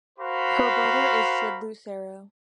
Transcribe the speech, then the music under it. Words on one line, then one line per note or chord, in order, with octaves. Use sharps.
Her brother is Sid Lucero.
F#4 A#4 C5 F5 B5